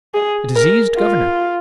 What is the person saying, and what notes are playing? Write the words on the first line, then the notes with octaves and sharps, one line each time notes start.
A diseased governor?
G#4
A#4
F4